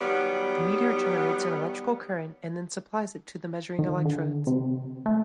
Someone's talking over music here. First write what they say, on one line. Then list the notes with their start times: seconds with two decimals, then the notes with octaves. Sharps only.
The meter generates an electrical current and then supplies it to the measuring electrodes.
0.01 D#3 F#3 G3 B3
3.79 D#3
4.05 D3
4.47 C3
5.06 A3